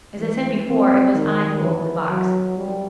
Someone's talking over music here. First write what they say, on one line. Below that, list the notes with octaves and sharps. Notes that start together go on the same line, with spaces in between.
As I said before, it was I who opened the box.'
E3
C4
D#3
E3
F#3
G3